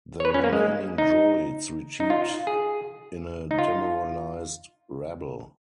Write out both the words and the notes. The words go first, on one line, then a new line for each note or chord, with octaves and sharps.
The remaining droids retreat in a demoralised rabble.
C#5
B4
C#4
A#3
G#3
D#4
D#4
F4
G#4
D#4
F4